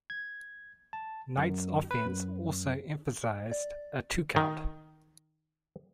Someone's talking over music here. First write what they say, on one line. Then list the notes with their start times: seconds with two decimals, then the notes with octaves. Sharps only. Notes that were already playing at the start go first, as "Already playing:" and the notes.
Knight's offense also emphasized a two-count.
0.10 G#6
0.93 A5
1.37 F#2
1.91 B4
2.06 F#2
3.52 D5
4.36 D#3